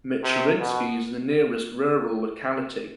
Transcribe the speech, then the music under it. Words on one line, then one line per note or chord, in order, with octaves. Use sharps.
Michurinsky is the nearest rural locality.
C3
B2